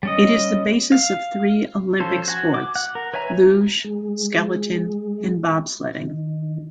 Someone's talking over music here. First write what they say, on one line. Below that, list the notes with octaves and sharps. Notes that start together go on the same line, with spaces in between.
It is the basis of three Olympic sports: luge, skeleton and bobsledding.
G3 C#4 D#5
F5
F3 C#4 A4 C5 C#5
F#4 G#5
D6
F#5
A#4
B4 C#5 E5 G#5 A#5
G#3
D#3